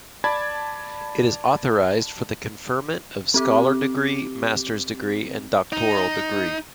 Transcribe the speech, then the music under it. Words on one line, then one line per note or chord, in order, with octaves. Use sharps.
It is authorized for the conferment of Scholar degree, master's degree and doctoral degree.
D5 A5 B5 D6 G#6 A6
C4 G4 D6
D#4